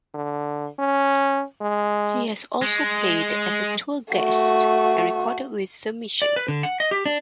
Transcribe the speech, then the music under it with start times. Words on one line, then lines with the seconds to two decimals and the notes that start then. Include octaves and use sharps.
He has also played as a tour guest and recorded with The Mission.
0.14 D3
0.79 C#4
1.61 G#3
2.62 G#3
4.13 A3 F#4
6.22 D5
6.36 B4
6.48 D3
6.63 F#5
6.80 D#5
6.91 G4
7.06 D4